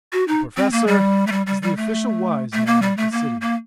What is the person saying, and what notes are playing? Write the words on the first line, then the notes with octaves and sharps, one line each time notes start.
The Professor is the official wise man of the city.
F#4
D#4
C4
A#3
G3
A3
G3
G3
G3
A3
A3
A#3
G3
A3
A#3
A#3